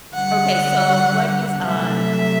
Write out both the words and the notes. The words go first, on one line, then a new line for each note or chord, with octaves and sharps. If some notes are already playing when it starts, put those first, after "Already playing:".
Okay, so what is on
D3 G3 F#5
C3 F#3 A3 E5